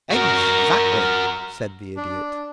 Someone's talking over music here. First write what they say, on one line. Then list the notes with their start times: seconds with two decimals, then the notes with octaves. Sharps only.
"Exactly," said the Idiot.
0.11 F#4 A#4
1.97 D4